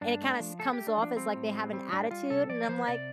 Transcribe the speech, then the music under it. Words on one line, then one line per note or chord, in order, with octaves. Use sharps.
And it kinda s comes off as like they have an attitude, and I'm, like,
G2 D4
A3
F3
A3 A4
A3 G4
D4
F3
D4
G3 C4
A2
G3
G3 C4
A2 D4
G3 F4
C3 A4
F3 D5
F3 C5
C3 D5